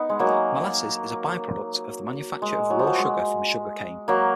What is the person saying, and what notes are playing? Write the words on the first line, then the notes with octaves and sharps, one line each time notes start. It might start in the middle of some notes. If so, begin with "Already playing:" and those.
Molasses is a by-product of the manufacture of raw sugar from sugar cane.
Already playing: B3 D#4
G#3
F#3 A#3
G#3
F#3
F3
F#3
G#3
F#3 A#3